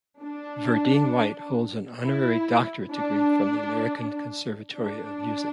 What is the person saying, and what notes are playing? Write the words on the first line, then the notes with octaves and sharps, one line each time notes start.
Verdine White holds an honorary doctorate degree from the American Conservatory of Music.
D4
E4
D4
D4